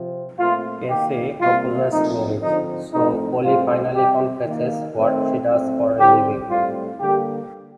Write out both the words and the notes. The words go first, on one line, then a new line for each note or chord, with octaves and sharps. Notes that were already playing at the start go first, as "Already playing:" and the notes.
Casey proposes marriage, so Polly finally confesses what she does for a living.
Already playing: C3 F3 C4
A#2 A3 C4 F4
D#3 A#3 G4
C3 G3 A#3 F4
A#2 F3 A3 C4 D#4
D3 F3 C4 D#4
A2 F3 A3 C4 D#4
A2 G3 C4 F4
C3 G3 C4 G4
D#3 A#3
D#3 A3 C4
A2 A3 C4
D3 G3 C4 G4
A2 G3 C4 F4
D3 G3 A#3 G4